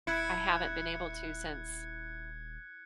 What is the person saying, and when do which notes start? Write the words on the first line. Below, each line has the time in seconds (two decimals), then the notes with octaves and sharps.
I haven't been able to since
0.07 D#1 E4 F#6 G#6 C#7